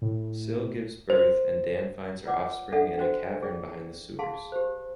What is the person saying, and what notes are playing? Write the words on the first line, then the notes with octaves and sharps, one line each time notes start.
Sil gives birth and Dan finds her offspring in a cavern behind the sewers.
A2
C5
F4 B4 C#5 D5 F#5 D6
D4 A4 D5 E5 F#5
F#4 C5 G5
G#4 D5 G5
G#4 F5 A5 C6
G4 C5